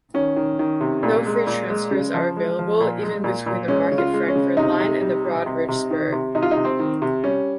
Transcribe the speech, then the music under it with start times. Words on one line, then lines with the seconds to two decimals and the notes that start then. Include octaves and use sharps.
No free transfers are available, even between the Market-Frankford Line and the Broad-Ridge Spur.
0.14 D#3 C#4
0.36 D#3
0.59 D#3
0.81 C3
1.03 A#2
1.26 G#3
1.47 A#2
1.70 G#3
1.91 C#3
2.14 F3
2.37 G#3
2.59 F3
2.80 A#2
3.03 G#3
3.24 A#2
3.46 A#2
3.68 G#3 C#4
3.92 C#3
3.98 F4
4.14 G#3
4.28 C#4
4.36 C#3
4.57 C3 D#4
4.80 C3
5.01 G3
5.25 G3
5.46 C3
5.68 C3
5.90 D#3
6.12 C3
6.35 C3 D#4
6.43 F4
6.51 D#4
6.57 C3
6.65 C4
6.79 D#3
7.02 C3
7.24 G3 C#4